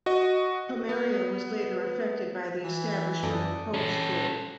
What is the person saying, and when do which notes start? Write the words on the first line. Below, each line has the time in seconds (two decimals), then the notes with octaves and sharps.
Pomaria was later affected by the establishment of the Hope School.
0.06 F#4 D#5
0.89 B3
2.64 E3
3.23 F#2 A4 D5 D#5
3.74 C#4 A4